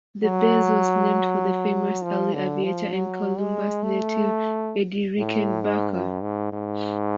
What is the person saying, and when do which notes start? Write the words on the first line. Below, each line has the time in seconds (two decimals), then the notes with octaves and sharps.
The base was named for the famous early aviator and Columbus native Eddie Rickenbacker.
0.24 F#3
2.04 F3
2.34 D3
2.64 F3
2.93 F#3
3.39 G#3
3.84 A3
5.18 A2
5.62 G#2
5.93 F#2
6.22 G#2
6.53 G#2